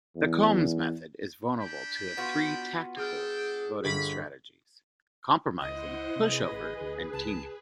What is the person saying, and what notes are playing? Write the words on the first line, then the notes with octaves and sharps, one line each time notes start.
The Coombs' method is vulnerable to three tactical voting strategies: compromising, push-over, and teaming.
E2
D4 G5 B5
B3 F4 F#4
D4 G#4 A4 G5 D#6 F6
G1 B5
C#2 E4 C5 D#5 F#5
C3 G#4 B4
A1
D2
C#2 A5